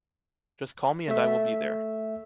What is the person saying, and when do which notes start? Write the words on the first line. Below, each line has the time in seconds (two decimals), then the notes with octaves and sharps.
Just call me and I will be there.
1.08 A3 E5